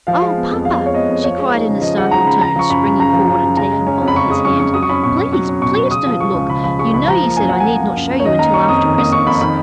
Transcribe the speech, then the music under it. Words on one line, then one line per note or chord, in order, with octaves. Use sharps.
"Oh! papa," she cried in a startled tone, springing forward and taking hold of his hand, "please, please don't look! you know you said I need not show you until after Christmas."
F3 F5
G#3
B3
F2
F3 F5
G#3
C#5
B3 D#5
F2
F3 C#5
G#3
D#4
C#3
F3 D#5
G#3 F#5
D#4 A#5
C#3 B5
C#3 A#5
F3 C#6
F#2 B5
F#2
C#3 A#5
F3
F#2
F#2
C#3 A#5
G#3
C#4
F2
B5
C#3 C#6
G#3 D#6
C#4 C#6
F2 C#6
F#3 D#6
C#6
C#4 B5
B2 C#6
B2 C#6
F#3 C#6
C#4
B2 C#6
B2
C#3 D#6
F3
G#3 C#6
C#2
C#3 B5
F3 B5
G#3 C#6
C#2 B5
F3 A#5
A#3
F#2 G#5
F#2 F#5
G#5
F3
A#3
F#2
F#2
C#5
D#3 D#5
A#3 A#5
C#4 C#6
F2 D#6
D#3
A#3 D#6
C#4 C#6
F2 B5
D#3 B5